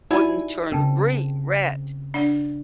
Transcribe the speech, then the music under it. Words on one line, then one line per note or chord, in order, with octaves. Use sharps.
wouldn't turn green red.
D#4 E4 F#4 G4 D5 F#5 G#5
C#3 C4 A#4 G5 A5
D4 D5 F#5